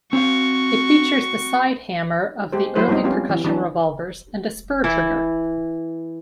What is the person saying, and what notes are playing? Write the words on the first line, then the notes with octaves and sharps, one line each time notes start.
It features the side-hammer of the early percussion revolvers and a spur trigger.
C4 F#4 F5 C#6
G#3 G4 C5
F#3 E4 B4 C5
F3 G3 G#3 C4 D#4
B3 C#4 F4 G4
E3
E3 D4
E3 E4